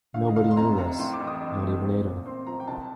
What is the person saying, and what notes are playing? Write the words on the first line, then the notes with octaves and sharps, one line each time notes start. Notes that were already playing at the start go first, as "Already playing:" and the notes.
Nobody knew this, not even Ada.
D3 F5
D#5
F1 F5
C6
F2 A#5
F2 A#5
A2 C6
D6
A1
D#6
A1
A3
C4
A#2
C4 C6
F3 A#5
G5
C2 A5